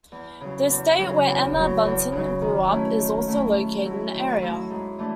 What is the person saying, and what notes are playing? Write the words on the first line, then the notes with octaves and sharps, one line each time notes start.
The estate where Emma Bunton grew up is also located in the area.
E2
C#3 F#3
E2
C#3 F#3
E2
C#3 F#3
E2
C#3 F#3
D#3
F#3 A3 C#4 E4
D#3
F#3 A3 C#4 E4
D#3
F#3 A3 C#4 E4
D#3
F#3 A3 C#4 E4
G#2
E3 A3 D4